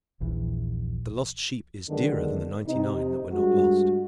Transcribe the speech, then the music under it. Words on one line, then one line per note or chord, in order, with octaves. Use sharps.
The lost sheep is dearer than ninety-nine that were not lost.
D#1 A#1 E3
D3 D#3 F#3 G#3 B3 D4
C3 D#4
G2 G#3 F#4